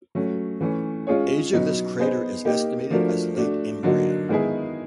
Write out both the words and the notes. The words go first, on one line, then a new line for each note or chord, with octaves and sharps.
Age of this crater is estimated as Late Imbrian.
F#3 A3 C#4
E3 A3 C#4
G#3 C#4 F4 G#4 C#5
B2 F#3 B3 D#4
B3 D#4 G#4 C5
A#3 D#4 G4
F3 A3 D4 F#4 A#4
A3 D4 F#4
D3 F#3 A#3 D#4 F#4
D#3 G#3 B3 E4 G#4